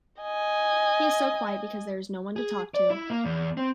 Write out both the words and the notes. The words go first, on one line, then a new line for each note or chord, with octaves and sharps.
He is so quiet, because there is no one to talk to.
D#5 G#5
G#4
D5
E4
A#3
E2
C4